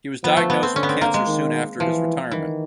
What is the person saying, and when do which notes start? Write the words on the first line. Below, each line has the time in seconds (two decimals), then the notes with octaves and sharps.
He was diagnosed with cancer soon after his retirement.
0.24 F3 B3
0.37 A3
0.50 B3
0.63 C4
0.75 D3 C#4
0.83 B3
0.89 C4
1.01 A#3
1.14 G#3
1.27 D#3
1.79 E3 F3
2.31 D#3 E3